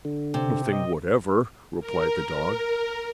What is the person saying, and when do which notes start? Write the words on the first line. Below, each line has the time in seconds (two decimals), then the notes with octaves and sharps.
"Nothing whatever," replied the dog.
0.05 D3
0.34 C3
0.73 D#5
1.80 A#4